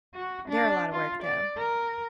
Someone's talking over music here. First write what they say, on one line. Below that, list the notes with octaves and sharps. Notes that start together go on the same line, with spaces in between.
They're a lotta work though.
F#4
D4
F4
D5
A#4